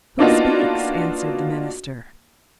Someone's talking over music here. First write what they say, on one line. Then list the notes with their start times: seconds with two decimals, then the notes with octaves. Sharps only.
"Who speaks?" answered the minister.
0.19 A#3 B3 D4 D#4 F4 F#4